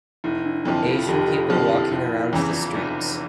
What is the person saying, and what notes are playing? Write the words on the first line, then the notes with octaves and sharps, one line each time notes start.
Asian people walking around the streets.
F1 E4
D4
F2 D3 F3 E4
F4
F1 G4
F4 A4
F2 D3 F3 G4
E4
F1 F4
E4
E2 C#3 E3
F4
F1